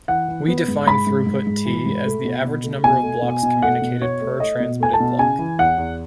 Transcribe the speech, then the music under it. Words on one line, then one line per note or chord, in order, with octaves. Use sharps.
We define throughput T as the average number of blocks communicated per transmitted block.
E3 F#5
E3
B3
G#2
G#2 B5
G#2
G#2
G#2
E3
G#2
A3
B2
B2
A3
B2 G#5
A3
B2
B2
A3 F#5
B2
B2 C#5
A3
A3 D#5
B2
A3 G#5
A5
B2
C#3 G#5
E3
E2 F#5
E2